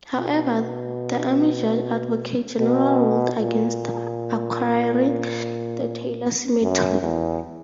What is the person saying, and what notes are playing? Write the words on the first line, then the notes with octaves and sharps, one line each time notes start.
However, the Army judge advocate general ruled against acquiring the Taylor cemetery.
B2
B2
A#2
F#2
E2